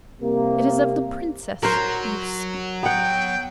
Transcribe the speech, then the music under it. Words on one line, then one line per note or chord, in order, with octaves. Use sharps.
"It is of the princess you speak."
C2 C3 A#3
F#3 A#4 C5
B3 F#5 G5